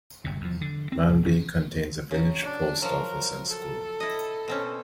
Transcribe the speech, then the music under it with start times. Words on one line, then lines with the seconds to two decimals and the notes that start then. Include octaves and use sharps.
Manby contains a village post office and school.
0.24 G1 G2 C3
0.41 E2 F3
0.61 D3
0.92 C4
1.09 C2
1.23 G#1 F#2 C#4
2.11 C#3 F#3
2.42 D4
2.82 F3 F#3 A#4
3.48 A4
4.00 E4 D#5
4.48 B2 C4 C#4